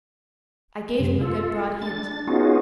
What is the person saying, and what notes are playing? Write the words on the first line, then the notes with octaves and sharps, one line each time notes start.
I gave him a good broad hint.
F#2 C3
F4 A4
D4 A6
B3 C#4 D#4 F4 F#4 G#4